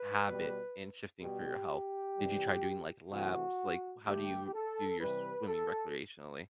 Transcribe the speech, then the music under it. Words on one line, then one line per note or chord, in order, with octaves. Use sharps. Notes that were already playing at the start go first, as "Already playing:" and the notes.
habit and shifting for your health? Did you try doing, like, laps? Like, how do you do your swimming recreationally?
Already playing: B4
B2 G3
B2 G3 G4
C3 E3 G3
C3 E3 A3 F#4
D3 A3 G4
A4
C3 E3 G3 B4
A4